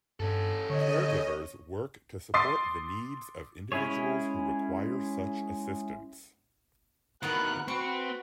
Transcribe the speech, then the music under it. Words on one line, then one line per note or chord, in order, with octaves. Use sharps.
Caregivers work to support the needs of individuals who require such assistance.
G2 C#4 A4
D3 C#5 D#5
C6 D6 D#6 A6 C7
G#3 C#4 E4 G#4 C#5
E2 D#3 B3 F#4 A#4 F#6
C4 F#4 B4 C#6